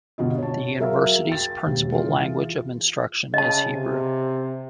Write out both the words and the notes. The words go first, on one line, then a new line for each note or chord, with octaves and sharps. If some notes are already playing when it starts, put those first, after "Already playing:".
The university's principal language of instruction is Hebrew.
G1 B2 F4 D#5
C#5 A5
F#3 G#4 A#4 E5 F5
G5 A6
E1 D#2
E3 F4 G#4
C#3 D#5 A5
C3